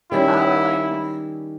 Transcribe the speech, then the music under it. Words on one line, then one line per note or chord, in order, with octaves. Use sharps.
Oh, I like that.
D#3 G3 C#4 E4